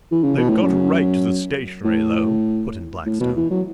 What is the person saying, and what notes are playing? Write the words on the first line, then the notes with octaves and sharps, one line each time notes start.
"They've got a right to the stationery, though," put in Blackstone.
E3
C#3
B2
A2
F#2
A2
A2
B2
E3
F#3